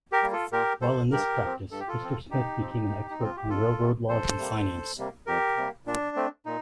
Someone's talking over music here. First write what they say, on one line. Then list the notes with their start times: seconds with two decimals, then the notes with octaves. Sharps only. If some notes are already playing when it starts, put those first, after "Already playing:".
While in this practice, Mr. Smith became an expert on railroad law and finance.
0.12 G4 A#4
0.23 G3 A#3
0.32 F4 A4
0.52 A#2 G4 A#4
0.81 G3 A#3 A4 C5
1.11 G2 G4 A#4
1.41 F3 C4
1.71 G2 A4
1.80 G4
1.88 F4 A4
2.00 F3 C4
2.30 G2 D#4 G4
2.60 F3 C4
2.90 G2
3.10 D#4
3.20 F3 C4 F4
3.36 G4
3.49 F2 F4 A4
3.79 C3 G3 A#3
4.08 F2 A4 C5
4.38 C3 G3 A#3
4.68 F2
4.97 C3 G3 A#3
5.27 F2 G4 A#4
5.57 C3 G3 A#3
5.86 A#2 D4
6.16 A3 C4
6.46 A#2 D#4